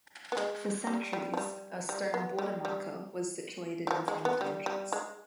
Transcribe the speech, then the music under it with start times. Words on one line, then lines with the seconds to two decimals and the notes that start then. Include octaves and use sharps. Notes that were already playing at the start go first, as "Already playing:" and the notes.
For centuries a stone border marker was situated in front of the entrance.
0.32 B3
0.37 G#3
0.87 G3
1.13 G3
1.34 F3
1.37 G3
1.89 G3
2.14 B3
2.39 G3
2.65 G3
3.87 G3
3.91 F3
4.08 G#3
4.25 B3
4.41 G3
4.66 G3
4.92 G#3